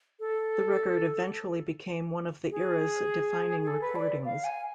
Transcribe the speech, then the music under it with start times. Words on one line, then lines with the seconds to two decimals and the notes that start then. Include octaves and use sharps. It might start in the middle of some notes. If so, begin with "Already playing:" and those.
The record eventually became one of the era's defining recordings.
0.20 A4
2.51 G#4
3.62 G#4
3.67 A4
3.81 B4
3.96 D5
4.25 F5
4.44 G#5